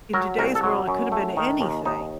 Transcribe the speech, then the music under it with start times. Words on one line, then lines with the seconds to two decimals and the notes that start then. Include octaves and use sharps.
in today's world, it could have been anything,
0.13 F#3 A#4
0.38 C2 A#4
0.55 A4
0.63 F#3
0.88 F#2
1.12 A3
1.37 D#3
1.61 D#2
1.85 D#2 D#4